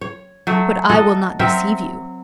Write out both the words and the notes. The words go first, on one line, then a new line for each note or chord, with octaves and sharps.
But I will not deceive you.
C#5
F#3 A3
F#4 A4 D#5
F#3 C4 A#4 E5